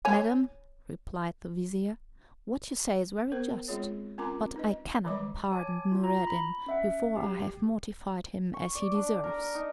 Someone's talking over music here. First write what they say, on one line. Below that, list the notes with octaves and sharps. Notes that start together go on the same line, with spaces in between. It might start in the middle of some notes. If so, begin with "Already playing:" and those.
"Madam," replied the vizir, "what you say is very just, but I cannot pardon Noureddin before I have mortified him as he deserves."
C#5 G#5
B3 A#4 C5
G#3 C4 F4 G#4 C#5
C4 C#4 F4 A#4 A#5 D6
D#4 B4 D#5
D#3 E3 G3 G#3 D6
C#5 G#5 A5 D6
F4
A#5
B5
C#4 E5 F#5
G4
C#6
D5
D4
A#4
A#4
D#4